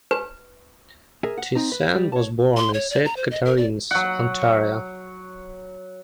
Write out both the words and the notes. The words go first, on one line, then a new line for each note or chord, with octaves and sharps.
Thiessen was born in Saint Catharines, Ontario.
B4
G#4 A#4 E5 G#5
F#5
C4 D#4 A#5
B4
G3
C#5 A5
C6
C#5
D5
A#5
C5
D#5
A#4
D5
F#3 F#5